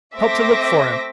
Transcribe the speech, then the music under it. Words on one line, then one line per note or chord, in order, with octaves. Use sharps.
Help to look for him!
A3 C4 C5 E5 D6 A#6